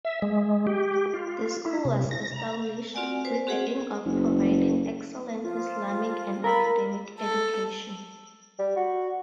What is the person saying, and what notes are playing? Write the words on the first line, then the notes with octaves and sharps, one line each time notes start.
The School was established with the aim of providing excellent Islamic and academic education.
E5
G#3
G4
F4
E4
C3
A#6
A#5
C4 F4 F#4 D5 F#5 G#5
B4 C5 G#5
C4 F#4 G#4 C5 F#5
F#1
F3 F4
F4 A4 A#4 B5
A4
G3
F#4